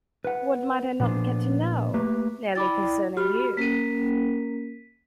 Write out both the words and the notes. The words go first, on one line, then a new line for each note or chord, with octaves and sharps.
What might I not get to know, nearly concerning you?
B4 F#5
A#2 F3 B3 D4 C5
A3 A#3 G4 B4
E4 D5 G5 B5 D6 A6
F#4 G4 B5 F6
A#3 C#4 A#4 B6 D#7